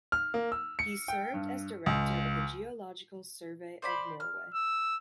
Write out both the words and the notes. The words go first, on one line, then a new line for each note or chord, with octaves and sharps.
He served as director of the Geological Survey of Norway.
F6
A#3
E6
C#7
G5
G2
C#2
C5 D5 B5
F6
E6